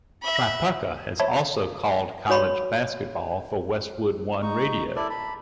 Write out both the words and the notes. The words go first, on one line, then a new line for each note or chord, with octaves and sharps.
Tripucka has also called college basketball for Westwood One radio.
E5 B5
C5 C#5 E5 A5 B5
F#4 C#5 B5 C6
D#4 C#6
E4 A4 D5
A5 B5